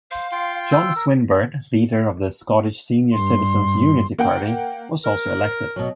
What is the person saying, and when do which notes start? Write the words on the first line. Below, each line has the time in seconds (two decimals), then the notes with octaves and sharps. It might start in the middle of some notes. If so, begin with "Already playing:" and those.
John Swinburne, leader of the Scottish Senior Citizens Unity Party, was also elected.
0.11 C5 F5
0.32 F4 G5 C6
0.72 E6
0.96 A#4
3.13 G2 C6
4.18 A#3 F#5 G5
5.05 A#4
5.76 B2 F#3